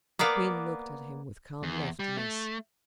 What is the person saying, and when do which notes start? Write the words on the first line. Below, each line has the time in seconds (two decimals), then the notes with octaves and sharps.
The queen looked at him with calm loftiness.
0.19 A#3 B3 D5 F5
1.63 E2
1.99 G3
2.17 A3